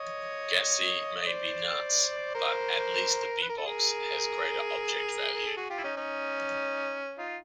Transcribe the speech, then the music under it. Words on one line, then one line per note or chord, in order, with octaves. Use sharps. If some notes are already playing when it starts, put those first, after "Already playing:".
Gassee may be nuts, but at least the BeBox has great object value.
Already playing: C#5 D#5
D#5
C5 D5
A#4 C5
B4
A#4
A4
G#4 A#4
A#4
A4
F#4 G#4
F4 G4
E4
C#4 D#4
C#4 D#4
D#4 F4